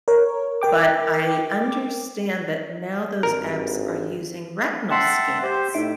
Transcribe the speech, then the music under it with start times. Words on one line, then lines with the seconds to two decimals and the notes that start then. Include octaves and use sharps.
But I understand that now those apps are using retinal scans.
0.08 A#4 C#5
0.61 A#4 G5 D6
3.23 G#1 G2 A#4
4.90 E5 F#5 G5 A5 C6 C7
5.43 G4 C5
5.74 A2 D#4 E5 D7